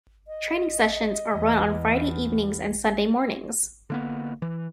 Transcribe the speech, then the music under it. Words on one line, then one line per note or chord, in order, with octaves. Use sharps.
Training sessions are run on Friday evenings and Sunday mornings.
D#5
E2
D3 A#3 B3
E3